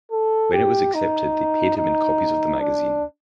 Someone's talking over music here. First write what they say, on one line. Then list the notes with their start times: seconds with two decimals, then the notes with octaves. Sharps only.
When it was accepted, they paid him in copies of the magazine.
0.12 A4
0.53 G4
0.94 D#4
1.78 D#4
2.60 D4